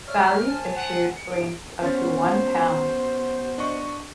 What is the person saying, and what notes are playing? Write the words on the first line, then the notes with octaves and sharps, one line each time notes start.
Values issued ranged up to one pound.
C#5 D5 E5 F6
C5 G#5 A5
F#5
C#7
G#2 C3 B3 D7
B3 C#4 F#4 C5 A6
D4 D#5 C#6